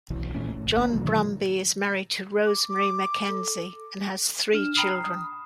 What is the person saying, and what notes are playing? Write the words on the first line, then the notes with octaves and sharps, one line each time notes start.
John Brumby is married to Rosemary McKenzie and has three children.
B1 E3
F2 A#2 A3 C#4
G#1
G1 A#3
A#2 D3 D#3 F#3
D6
D6
A4
D4 F6 E7
G5 A#5 B5 D#6 F6 C7
D#6